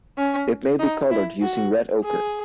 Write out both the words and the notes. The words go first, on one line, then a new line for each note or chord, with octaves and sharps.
It may be colored using red ochre.
C#4
D#4
E4
F#4
G#4